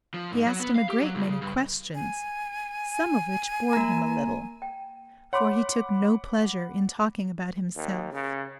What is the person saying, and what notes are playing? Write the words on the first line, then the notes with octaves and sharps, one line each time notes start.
She asked him a great many questions, some of which bored him a little; for he took no pleasure in talking about himself.
F3
G#2
F#3
B3
F5
G4
F#3
C#2
C#3
G2
G#5
A#3 A#5
G5
C#5 F#5 B5 C6 D6
D#2
C#3